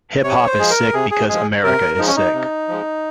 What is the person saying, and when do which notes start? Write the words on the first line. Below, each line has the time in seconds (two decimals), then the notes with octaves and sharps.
Hip hop is sick because America is sick.
0.23 C3 C#5
0.47 C5
0.59 F3 G#3 G#4
0.70 A#4
0.93 C3 G#4
1.11 G#4
1.29 F3 G#3 G#4
1.64 C3 A#4
1.98 F3 G#3 D#4
2.07 C#4
2.16 D#4
2.33 C3
2.68 F3 G#3